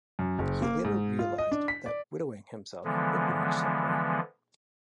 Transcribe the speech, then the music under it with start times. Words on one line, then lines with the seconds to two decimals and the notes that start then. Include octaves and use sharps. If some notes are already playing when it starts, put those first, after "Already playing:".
He later realized that widowing himself would be much simpler.
0.19 F#2
0.39 F#1
0.62 A#3
0.85 G#2
1.19 F4
1.38 D#5
1.52 D4
1.68 B6
1.86 D5
2.84 D3 E3 F3 G#3 B3